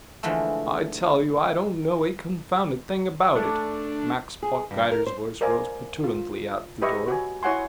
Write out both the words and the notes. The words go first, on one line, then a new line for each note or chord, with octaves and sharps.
"I tell you, I don't know a confounded thing about it," Max Pottgeiter's voice rose petulantly at the door.
D3 E3 F3 G#3 A3
A3 D4
G#4
G2
A#4
C5
A#4 C5 D5 F5 G#5
F4
G4 B4 D#5 E5 C#6
F#4 G#5
E4 C#5 F#5 G#5 C6